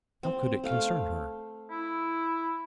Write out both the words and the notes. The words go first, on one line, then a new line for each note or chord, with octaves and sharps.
How could it concern her?
C4
A3 F5 G5
E4